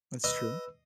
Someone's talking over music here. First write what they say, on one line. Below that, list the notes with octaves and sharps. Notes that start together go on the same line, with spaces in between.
That's true.
B4 D#5 E6